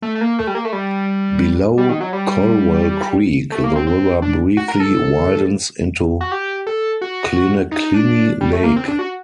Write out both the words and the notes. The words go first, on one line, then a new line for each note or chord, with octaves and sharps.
Below Colwell Creek the river briefly widens into Klinaklini Lake.
A3
A3
A#3
A3
G3
A#3
A3
G3
G3
D#3
F#3
G3
A3
A#3
C4
C4
D4
F#4
A#4
A4
F#4
G4
A4
F#4
D#4
D#4
D4
G3
A3
A#3
C4
D4
F#4